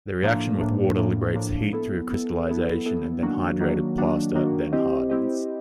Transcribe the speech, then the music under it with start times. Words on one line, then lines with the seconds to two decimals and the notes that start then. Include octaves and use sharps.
The reaction with water liberates heat through crystallization and the hydrated plaster then hardens.
0.23 A2 F3 A#3 D4
0.60 A2 F3 A#3 D4
0.98 A2 F3 A#3 D4
1.36 A2 F3 A#3 D4
1.73 B3 E4 A4
2.10 B3 E4 A4
2.48 B3 E4 A4
2.86 B3 E4 A4
3.23 D#3 F#3 A#3 D4 F#4
3.60 D#3 F#3 A#3 D4 F#4
3.98 D#3 F#3 A#3 D4 F#4
4.35 D#3 F#3 A#3 D4 F#4
4.73 C4 E4 G4 C5 D#5
5.10 C4 E4 G4 C5 D#5